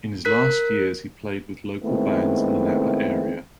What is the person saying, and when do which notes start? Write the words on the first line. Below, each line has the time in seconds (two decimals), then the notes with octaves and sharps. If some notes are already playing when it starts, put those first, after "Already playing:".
In his last years he played with local bands in the Napa area.
0.25 A#4 F#6 B6
1.84 D#3 G#3 A3 B3 C4 E4